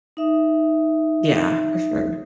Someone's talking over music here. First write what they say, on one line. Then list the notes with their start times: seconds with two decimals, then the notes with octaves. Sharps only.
Yeah. For sure.
0.17 D#4 E5 D#6